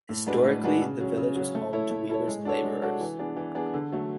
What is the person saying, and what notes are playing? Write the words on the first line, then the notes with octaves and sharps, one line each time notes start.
Historically the village was home to weavers and labourers.
A2
G#3 D4 F#4 B4
A2
G#3 D4 F#4 B4
C#3
F#3 C#4
C#3
F#3 C#4
A3
E4 A4 C#5
A3
E4 A4 C#5
G#3
D4 F#4 A4 C#5
G#3
D4 F#4 A4 C#5
E3
B3 D4 G#4
E3
B3 D4 G#4
D3
F#3 A3